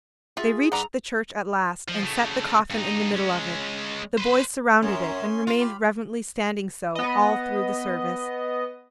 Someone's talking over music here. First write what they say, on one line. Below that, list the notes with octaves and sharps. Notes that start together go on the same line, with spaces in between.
They reached the church at last and set the coffin in the middle of it. The boys surrounded it and remained reverently standing so, all through the service.
F4 F#4 G#4 E5
G2 B4 D5 F#5 A#5
F3
C#3 A3
G2 D#4
G#3 C#4
B4 C5
F#2 C#4 G#5 C6
F4
G4 B5
B3 D#5